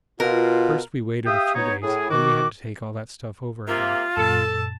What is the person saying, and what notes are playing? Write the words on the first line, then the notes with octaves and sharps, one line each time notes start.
First we waited a few days; then we had to take all that stuff over again.
B2 F4 A#4
G4 E5 F5 G5 D#6
B3 D#4 C#5
A2 G#4
D#3 F#4 D6
C3 A#3 F4
F#2 A#2 A4 A5